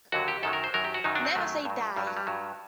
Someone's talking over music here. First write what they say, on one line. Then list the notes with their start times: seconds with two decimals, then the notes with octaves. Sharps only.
Never say die.
0.12 D#2 D3 F#3 F#4
0.28 G4
0.43 F#2 D#3 F#3 A4
0.53 A#4
0.64 C5
0.74 F#2 D#3 F#3 A#4
0.84 G4
0.94 F#4
1.04 F#2 D#3 F#3 D#4
1.15 D4
1.25 C4
1.35 F#2 D#3 F#3 A3
1.65 G2 F#3
1.96 G2 F#3 G3
2.07 F#3
2.17 G3
2.27 G2 F#3